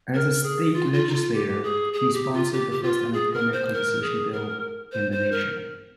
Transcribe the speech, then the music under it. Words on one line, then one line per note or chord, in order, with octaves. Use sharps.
As a state legislator, he sponsored the first unemployment compensation bill in the nation.
A#4
G#4
F4
F4
D#4
F4
G4
G#4
G#4
G4
F4
G4
G4
F4
G#4
A#4
C5
A#4
G#4
A#4
C5
C5
A#4